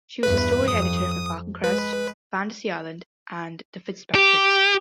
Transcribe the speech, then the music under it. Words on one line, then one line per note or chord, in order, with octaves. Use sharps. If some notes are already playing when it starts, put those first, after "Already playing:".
She was the story editor for "Falcon Crest", "Fantasy Island" and "The Fitzpatricks".
E2 G2 B4
F2 D#6
G#3 B4
G4